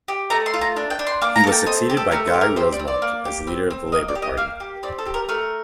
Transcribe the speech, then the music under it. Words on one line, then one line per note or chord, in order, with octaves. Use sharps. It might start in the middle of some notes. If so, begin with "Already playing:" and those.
He was succeeded by Guy Rozemont as leader of the Labour Party.
G4
A3 A#5
C6
F4
A#5
D4
G5
D4
C6
A#3 D6
A#5
A4 A5
G5
C4 D#5
G4
A4
A3 A#4
C5
G4
A#4
C4 C5
D5
C4
D5
A#3
G4
C4
C4
A#3 D#5
D5
G4
D#5
A#3 F5
G4
C4 D5
A4
G4
A#4
A3 A#4